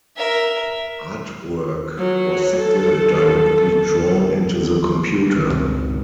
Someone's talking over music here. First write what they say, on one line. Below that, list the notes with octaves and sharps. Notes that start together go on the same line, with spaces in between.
Artwork was still directly drawn into the computer.
A#4 E5
F#3
A4
G#1 C#2 G2 A#2